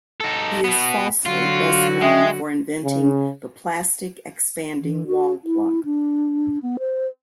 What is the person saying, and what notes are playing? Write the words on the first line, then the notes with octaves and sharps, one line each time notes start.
He is falsely best known for inventing, the plastic expanding wall plug.
D#4 A4
B2 B3
D3 F#3 F4 F#4
G#3 E5 G5 D#6
C#3
E3
F#4
E4
D4
B3
C5